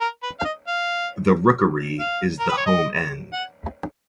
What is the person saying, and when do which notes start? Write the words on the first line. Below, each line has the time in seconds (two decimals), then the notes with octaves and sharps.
The Rookery is the "home end".
0.01 A#4
0.23 B4
0.40 F5
0.45 D#5
0.67 F5
2.00 F5
2.40 A#4
2.49 B4
2.57 C#5
2.66 D#5
3.33 F#5